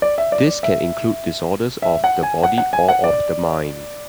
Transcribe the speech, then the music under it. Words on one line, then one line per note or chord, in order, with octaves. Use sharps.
This can include disorders of the body or of the mind.
D5
E5
D5
D5
E5
E5
F#5
G#5
F#5
F#5
G#5
F#5
D5